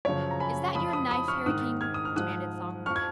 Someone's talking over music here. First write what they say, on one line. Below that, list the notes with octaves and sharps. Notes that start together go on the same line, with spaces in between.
"Is that your knife, Harry King?" demanded Thong.
F#2 C#3 F3 C#5
A#5
G#5 B5
F2 F3 B5 D#6
B5 D#6
B5 D#6
C#6 F6
G#2 D#3 D#6 F#6
F6 G#6
D#6
F6
G#2 F3 D#6 F#6
F2 F3 C#6 F6
G#6